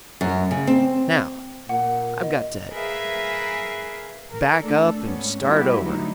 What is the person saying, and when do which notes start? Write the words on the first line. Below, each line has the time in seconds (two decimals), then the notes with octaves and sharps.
Now, I've got to back up and start over.
0.21 F#2
0.51 C#3
0.67 C4
1.69 A#2 F#5
2.23 D#5
2.72 G#4 A#4 B4 E5 F5 G#5
4.31 A#4
4.61 A3 D4 A4
5.02 G#2 B3 C#4
5.41 G3 B3 E4 F#4 G4
5.81 D3 F#3 A3 D#4 E4